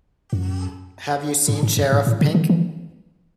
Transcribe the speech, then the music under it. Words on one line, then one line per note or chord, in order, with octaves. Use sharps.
Have you seen Sheriff Pink?
F#2
G#2
G#2
F#2
G#2
A2
C#3
D#3
E3